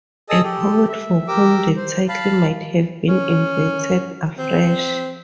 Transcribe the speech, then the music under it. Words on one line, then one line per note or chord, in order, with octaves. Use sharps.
A poet for whom the title might have been invented afresh.
G#4 A4 D#5 A5 D#6 E6
G4 A4
E5
G4 A#4 D6 E6
C5
F5 A5 B5
C#4
C4